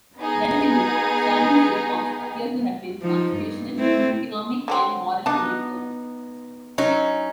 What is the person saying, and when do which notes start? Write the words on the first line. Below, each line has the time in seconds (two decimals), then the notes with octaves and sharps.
Generally, Solon's reforms appear to have been constitutional, economic and moral in their scope.
0.17 B3 D#4 G#4
3.02 F3 D#4
3.35 G2
3.78 A3 C4 E4
4.68 D3 F#3 C4
5.26 B3 D4 D#4 A5
6.78 F#3 C#4 D#4 C#5